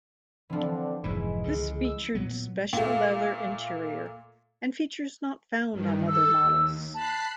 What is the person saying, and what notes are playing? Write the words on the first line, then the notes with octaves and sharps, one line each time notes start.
This featured special leather interior and features not found on other models.
D3 E3 F3 C4 D4
F1 G#2 E3 G#3 E4
C#2 D3
E6
A#2 F#3 B3
A#2 A3
G2 D#3
A4 E6
D#2
A5 B5 F#6 C7